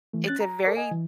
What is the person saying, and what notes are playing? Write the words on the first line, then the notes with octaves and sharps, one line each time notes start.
it's a very
E3 A3
C#4 F#6 A6
A#5
A4 A#4 C#5 D5
D#5 G#5
E3